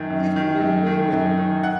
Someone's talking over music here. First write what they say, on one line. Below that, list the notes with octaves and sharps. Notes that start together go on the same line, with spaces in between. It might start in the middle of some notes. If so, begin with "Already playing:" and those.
He has been made away with.
Already playing: F#2 D#3
F#2
D#3
F#2
D#3
F#2
D#3
F#5